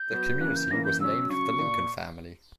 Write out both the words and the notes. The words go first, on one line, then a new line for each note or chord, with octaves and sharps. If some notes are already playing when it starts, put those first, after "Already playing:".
The community was named for the Lincoln family.
Already playing: G6
F#3 B3 F#4
C#3 E3 A#3 F#6
G6
C#3 E3 A#3 A#6
G6
C#3 F#3 C#4 E6
C#3 F#3 C#4 C#6
A#2